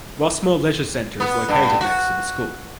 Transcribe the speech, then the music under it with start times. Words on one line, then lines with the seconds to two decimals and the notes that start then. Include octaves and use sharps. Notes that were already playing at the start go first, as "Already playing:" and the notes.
Rossmore Leisure Centre is located next to the school.
1.20 B3
1.49 G2
1.81 F#4